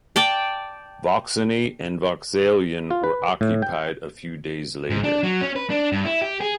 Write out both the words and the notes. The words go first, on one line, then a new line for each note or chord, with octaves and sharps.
Vauxeny and Vauxaillon were occupied a few days later.
D5 G5 A5
F4
B4
A2
G5
G#2
D4
F#3
C#4
B4
D4
G2
E4
G4
G#4